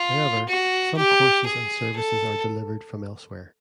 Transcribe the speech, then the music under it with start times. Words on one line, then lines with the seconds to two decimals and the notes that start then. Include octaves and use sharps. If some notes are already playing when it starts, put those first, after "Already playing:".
However, some courses and services are delivered from elsewhere.
Already playing: F4
0.48 F#4
0.97 G4
1.46 G#4
1.96 A4